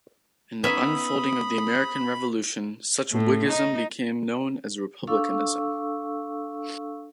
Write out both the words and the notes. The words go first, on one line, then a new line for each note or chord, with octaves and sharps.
In the unfolding of the American Revolution such whiggism became known as republicanism.
B3 C#4 D#4 E5 B5 D#6
A2
D#4
D4 A4 F5 C#6 E6